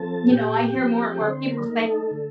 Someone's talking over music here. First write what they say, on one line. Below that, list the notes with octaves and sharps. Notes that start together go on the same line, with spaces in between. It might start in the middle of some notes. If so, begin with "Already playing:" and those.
You know, I hear more and more people saying
Already playing: F3 C4 A4 A5
A#2 G4 G5
F3 C4
D3 C4 C5
A#3 A#4
A3 D#4
A3 A4
D3